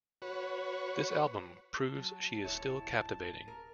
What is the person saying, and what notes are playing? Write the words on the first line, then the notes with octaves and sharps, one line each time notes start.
This album, proves she is still captivating.
F#4 B4 C#5
A5
F#3
D1 E4 C#5
A#4